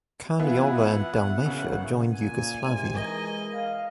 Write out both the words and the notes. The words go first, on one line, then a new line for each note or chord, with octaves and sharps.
Carniola and Dalmatia joined Yugoslavia.
E3 B3 E4 F4 B4 F#5 G#5
F#2 C#3
A#2 G#5
G#2 C3
E3 G#3 A#4 D#5
F5